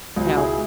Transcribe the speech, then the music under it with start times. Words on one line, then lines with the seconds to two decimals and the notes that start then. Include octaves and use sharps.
you know,
0.16 C#2
0.26 F#4
0.37 B2 E4 G#4